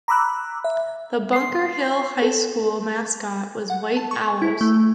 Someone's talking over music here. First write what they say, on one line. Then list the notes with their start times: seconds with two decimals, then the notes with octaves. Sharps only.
The Bunker Hill High School mascot was White Owls.
0.08 A#5 B5 D6 E6 F#6
0.64 E5
1.33 C6 C7
2.22 A4
3.70 F#5
3.97 A5
4.11 C#6
4.42 E4
4.61 A3